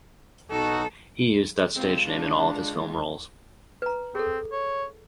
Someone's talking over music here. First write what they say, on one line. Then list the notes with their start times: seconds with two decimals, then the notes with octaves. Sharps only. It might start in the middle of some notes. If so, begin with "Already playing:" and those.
He used that stage name in all of his film roles.
0.51 B1 D#4 F#4 A4
1.76 G#3 C4 F4
2.05 D4
3.82 B4 A#5
4.15 C4 G#4 A4
4.52 C#5